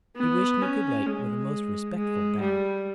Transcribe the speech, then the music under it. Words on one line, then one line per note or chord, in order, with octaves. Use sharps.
He wished me good night with a most respectful bow.
B3
C#4
G#3
G#3
G3